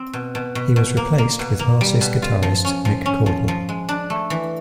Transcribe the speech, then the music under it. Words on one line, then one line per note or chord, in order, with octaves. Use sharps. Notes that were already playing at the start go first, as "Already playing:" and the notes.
He was replaced with Arsis guitarist Nick Cordle.
Already playing: C4
B2
B2
B2
B2
A#3
A#3
B2
A#3
G3
B2
F4
F3
C#4
F3
C#4
F3
F3
G#3
D4
A3
E3